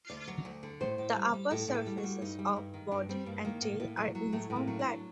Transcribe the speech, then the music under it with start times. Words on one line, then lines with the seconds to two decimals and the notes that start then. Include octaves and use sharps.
The upper surfaces of body and tail are uniform black.
0.10 D2 D5
0.28 F#3
0.45 D2
0.63 D3
0.81 A2 C5
0.98 A2
1.15 G3
1.33 G3
1.51 A2 A4
1.68 A2
1.74 A4
1.87 G3
1.98 F#4
2.03 G3
2.21 G2 D#4
2.39 G3
2.56 G2
2.74 D#3
2.91 G2 D4
3.09 G3 C4
3.26 G2 A#3
3.45 D#3 A#3
3.62 A2
3.80 A2
3.97 F#3
4.15 F#3
4.32 A2 A3
4.50 A2
4.56 A#3
4.67 F#3
4.79 D4
4.86 F#3